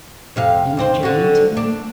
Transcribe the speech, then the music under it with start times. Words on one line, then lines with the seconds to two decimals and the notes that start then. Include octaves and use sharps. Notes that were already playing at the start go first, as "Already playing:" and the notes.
"And you journeyed to them?"
0.36 F2 C3 F5
0.77 D#2 C4 C5
1.03 D3 F#4
1.57 D4